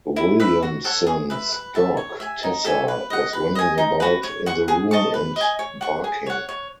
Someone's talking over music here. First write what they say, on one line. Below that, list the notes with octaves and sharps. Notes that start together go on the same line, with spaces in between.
Williamson's dog, Tessa, was running about in the room and barking.
E4
B4 E5
F#4
A4 C#5 F#5
G#4
B4 E5
B4
E5 A5
C#5
E5 G#5
D#4
A4 E5 G#5
B4
D#5 F#5
B4
D#5 G#5
D#4
F#4 B4
C#5
F#5 C#6
G#4
D#5 A5 C#6
B4
D#5 G#5
C#5
F#5 C#6
G#4
C#5 F#5
C#5